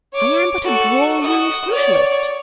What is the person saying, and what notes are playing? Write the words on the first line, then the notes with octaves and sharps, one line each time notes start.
I am but a drawing-room Socialist.
C#5 D6
F#4 A4
F#4 D#5
C#5 D5